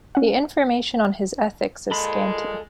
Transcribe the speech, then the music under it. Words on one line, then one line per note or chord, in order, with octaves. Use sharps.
The information on his Ethics is scanty.
C#4 F#5
A#2 G#3 A4 B5